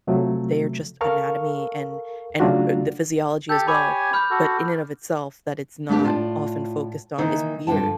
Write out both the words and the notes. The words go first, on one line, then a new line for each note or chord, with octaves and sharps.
their just anatomy and and, eh, the physiology as well, but in and of itself that it's not often focused on is weird.
C3 F3 F#3 A3
A4 A#4 F5 C#6 F6
C#3 F#3 A3 D4 F4 F#4
G4 A4 G6 A6
G4 C#5 G#5 B5 D6
B5 F6 G6
F#4 A4
A3 D4 D#4 G4 A#4
A2 F4 D5 A5
D#3 E3 A#3 D#4
G2 D3 F3 G5 A5